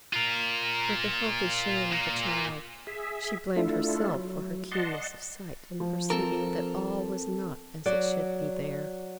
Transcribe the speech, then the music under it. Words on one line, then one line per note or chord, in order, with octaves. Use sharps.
With the healthy shame of a child, she blamed herself for her keenness of sight, in perceiving that all was not as it should be there.
F4 A#4
A#2 A#3
G#4 E5
A3 D4 E4 F4 A4
F#3
D5 D#5 F#5 A5 C6
F3
C4 A4 A#4
F#3 F#4 D5